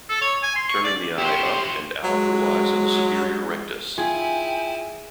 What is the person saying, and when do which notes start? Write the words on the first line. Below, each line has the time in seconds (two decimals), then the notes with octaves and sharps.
Turning the eye up and out relies on the superior rectus.
0.09 A4
0.21 C#5
0.43 G#5
0.56 C6
0.69 C#6
0.84 D5
1.18 E4 F#4 G4 C6 C#7
2.04 F#3 G#3
3.98 E4 F4 G#4 G5 G#5